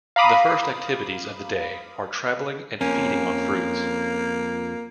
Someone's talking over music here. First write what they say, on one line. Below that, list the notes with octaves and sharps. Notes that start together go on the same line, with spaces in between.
The first activities of the day are traveling and feeding on fruits.
F5 A#5 B5 D6 D#6
F2 A#3 C#4